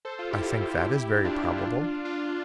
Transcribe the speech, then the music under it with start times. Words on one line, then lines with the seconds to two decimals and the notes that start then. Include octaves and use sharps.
"I think that is very probable."
0.05 A4 C5
0.18 F4 A4
0.31 E4 G4
1.24 D4 F4
2.05 D4 F4